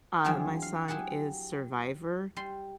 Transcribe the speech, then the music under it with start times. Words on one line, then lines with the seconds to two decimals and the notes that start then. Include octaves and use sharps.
Uh, my song is Survivor,
0.25 E2 F3 F#3 C4 D4 G#4
0.62 F5
0.88 F#3 E4 G4 G#4 F#5
2.36 G3 C6